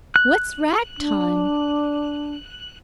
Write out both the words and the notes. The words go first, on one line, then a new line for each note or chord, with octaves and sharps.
"What's rag-time?"
F#6
D4